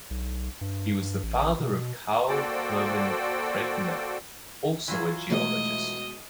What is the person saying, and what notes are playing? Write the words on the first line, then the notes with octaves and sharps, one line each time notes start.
He was the father of Carl Hermann Credner, also a geologist.
B1
G2
A1
B2
A#3 F#4 A4 C5 D5 G5
E3 F#3 F4
B2 G#3 A3 D#5